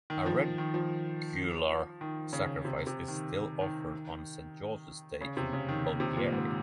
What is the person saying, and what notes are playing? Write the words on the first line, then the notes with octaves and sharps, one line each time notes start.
A regular sacrifice is still offered on St. George's Day in Bulgaria.
D#3
F3
D#3
F3
D#3
C#3
C3
C3
D#3
D#3
C#3
C3
C#3
D#3
D#3
C3
A#2
G#2